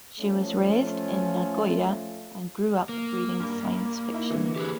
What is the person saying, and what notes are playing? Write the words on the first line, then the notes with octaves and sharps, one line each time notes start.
She was raised in Nagoya and grew up reading science fiction.
F3 A3 C#4 F4
A#3
G2
D#4 E4
D3 E3
G4 G#4 B4